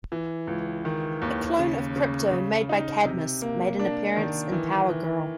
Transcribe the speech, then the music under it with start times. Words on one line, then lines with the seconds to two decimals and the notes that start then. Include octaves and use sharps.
A clone of Krypto made by Cadmus made an appearance in "Power Girl".
0.12 E3
0.47 C#2
0.85 D#3
1.22 D#2
1.59 C#3
1.96 C#3
2.31 C#3
2.69 D#4
3.05 C3
3.42 A#3
3.79 D4
4.16 D#3
4.52 E3
4.89 E3